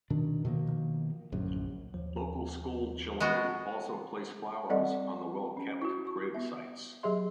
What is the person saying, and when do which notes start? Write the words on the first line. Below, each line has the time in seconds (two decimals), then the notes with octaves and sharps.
Local school children also place flowers on the well-kept grave sites.
0.10 B2 D#3 D4
0.45 B2 D#3 F3 A#3
1.32 D1 A#1 F#2
1.94 D#2 F3
3.20 G#3 B3 F#4
4.69 G3 C4 A4 D5 D#5 F#5
5.57 C#4
5.82 E4 F#4
6.05 F#4 C#6
6.34 B3 E5
7.03 F#3 G4 G#4 E5 C6